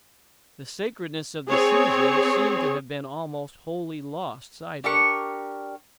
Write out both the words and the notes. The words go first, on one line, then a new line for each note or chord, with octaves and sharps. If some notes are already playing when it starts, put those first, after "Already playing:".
The sacredness of the season seemed to have been almost wholly lost sight of.
C4 G#4 C#5
D4 G4 A#4 C#6